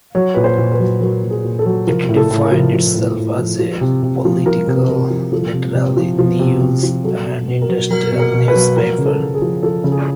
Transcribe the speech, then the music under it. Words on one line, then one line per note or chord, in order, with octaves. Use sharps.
It defined itself as a "political, literary, news and industrial newspaper".
F#3 C#5
A#2 B4
C5
A#2
B4
F#3
F#3 A#4
A#2
G#4
A#2
A4
F#3
F3 A#4
A2
A4
A2
A#4
F3
F3
A2
A2
F3
F3
C3
C3
F3
F3 A#4
C3
C3 A#4
F3
F3 A4
C3
C3
F3
F3
C3
C3
F3
F#3 A4
B2
B2
A#4
F#3
F#3 A#4
B2
A#4
B2
B4
F#3
F3 A#4
C#3
A4
C#3
G#4
F3
F3 A4
C#3
G#4